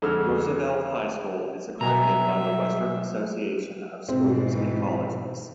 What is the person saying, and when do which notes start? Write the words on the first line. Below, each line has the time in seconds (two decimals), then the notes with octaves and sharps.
Roosevelt High School is accredited by the Western Association of Schools and Colleges.
0.02 F2 D3 G#3 E6 F6
1.81 B2 F#3 G3 A#4 E5 G#5 A#5
4.09 G#2 B2 E3 C4